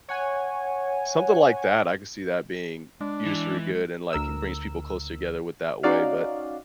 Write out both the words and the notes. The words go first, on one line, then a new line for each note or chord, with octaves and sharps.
Something like that, I could see that being u used for good and, like, brings people closer together with that way, but,
C#5 F#5 G#5
G#3 D4
E3
D2 A#4 E6
C#4 D#4 F#4 D5 F5